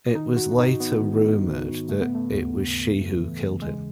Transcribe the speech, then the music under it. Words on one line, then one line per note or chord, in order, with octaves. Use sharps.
It was later rumoured that it was she who killed him.
D#3 D#4
F#4
G#2 D#4
B3
D#3
G#2
C#3 A3
B3
A3
D#2
D#2
E3
C#3 G#3